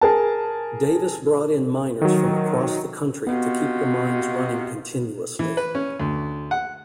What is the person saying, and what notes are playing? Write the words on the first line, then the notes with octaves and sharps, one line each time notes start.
Davis brought in miners from across the country to keep the mines running continuously.
G#4 A#4 A5
D#3 F#3
C3 B3 F4 F#4 D#5
E3
B4
C#4
D2
F#5